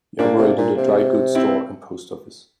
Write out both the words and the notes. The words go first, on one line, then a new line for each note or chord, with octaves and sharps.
He operated a dry goods store and post office.
A#2 A#3 D4
C3
A#2
C3
C4 E4